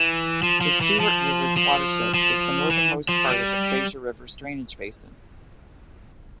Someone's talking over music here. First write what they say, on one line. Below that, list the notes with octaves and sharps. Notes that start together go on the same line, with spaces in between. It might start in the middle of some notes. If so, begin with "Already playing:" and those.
The Stuart River's watershed is the northernmost part of the Fraser River's drainage basin.
Already playing: E3
F3
F3
E3
F3
F3
F3
E3
F3
G3